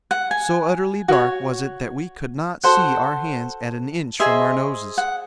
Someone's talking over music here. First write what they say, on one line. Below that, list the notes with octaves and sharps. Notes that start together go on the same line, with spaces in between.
So utterly dark was it that we could not see our hands at an inch from our noses.
F#5
G#5
F#4 C#5
F#4 A4 C5 F#5
G#4 C5 D#5 E5
F#5